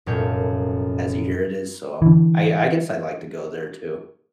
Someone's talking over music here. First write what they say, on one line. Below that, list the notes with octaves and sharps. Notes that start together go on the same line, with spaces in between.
as you hear it is, so, I I guess I'd like to go there too.
F1 F#2 A#2 C#5 A5 G6
D3 E3